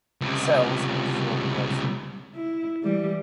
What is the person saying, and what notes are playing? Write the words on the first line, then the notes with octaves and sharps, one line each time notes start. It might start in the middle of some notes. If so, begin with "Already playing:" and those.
Cells are short rods.
C#2 C3
E4
E3 G3 G4